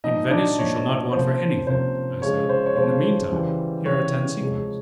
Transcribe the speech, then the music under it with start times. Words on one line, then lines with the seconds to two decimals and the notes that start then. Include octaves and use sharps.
"In Venice you shall not want for anything," I said; "in the mean time, here are ten sequins."
0.04 A#2 F3 A#3 D#4 D#5
0.31 D4 D5
0.59 A#2 F3 A#3 C#5
1.12 C3 F3 A#3 C#4 C5
1.67 C3 F3 A#3 C#4 C5
2.22 C#3 F3 G#3 C#5
2.49 C5
2.66 C#5
2.76 C#3 F3 G#3 C5
3.31 C#3 E3 G3
3.85 C#3 E3 G3 C#5
4.40 C3 F3 G#3